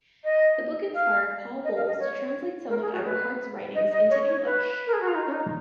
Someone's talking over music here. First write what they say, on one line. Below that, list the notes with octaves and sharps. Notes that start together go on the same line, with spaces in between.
The book inspired Paul Bowles to translate some of Eberhardt's writings into English.
D#5
F5
D#5
F5
D#5
C#5
A#4
G#4
F#4
B4
D#5
D#5
C#5
C#5
B4
A#4
G#4
F#4
F4
D#4
C#4
D#4